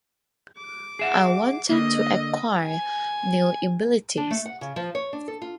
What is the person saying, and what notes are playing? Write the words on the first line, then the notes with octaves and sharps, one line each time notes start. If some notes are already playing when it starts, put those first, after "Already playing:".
I wanted to acquire new abilities.
D6
G#4 E5 F#5
D3 A#3 D#5
G#5
D4
A3
F#5
C#3
F3
C#5
D4
A4
F4